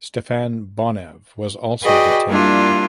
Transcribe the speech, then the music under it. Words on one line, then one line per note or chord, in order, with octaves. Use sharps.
Stefan Bonev was also detained.
F#4 G#4 B4 D5 D#5 G5
G3 A#3 D4 E4 F4